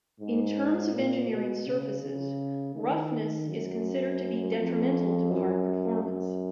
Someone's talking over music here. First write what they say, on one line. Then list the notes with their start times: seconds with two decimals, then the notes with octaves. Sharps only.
In terms of engineering surfaces, roughness is considered to be detrimental to part performance.
0.20 G#2
0.93 A#2
1.30 B2
1.66 C#3
2.02 C#3
2.75 D#3
3.48 F#2
4.58 F2
5.30 F#2
6.03 F#2